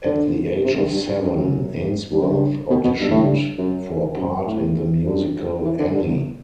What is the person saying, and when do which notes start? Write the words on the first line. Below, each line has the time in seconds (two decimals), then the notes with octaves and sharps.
At the age of seven, Ainsworth auditioned for a part in the musical "Annie".
0.05 D3
0.64 C3
0.78 G2
0.93 G2
1.07 G2
1.23 F#2
1.38 F#2
2.12 G2
2.21 F#2
2.30 G2
2.70 B2
2.84 B2
3.00 G2
3.11 A2
3.24 G2
3.58 F#2
4.17 F#2
4.47 A2
5.05 G2
5.64 E3
5.79 D3
5.94 D3
6.09 E2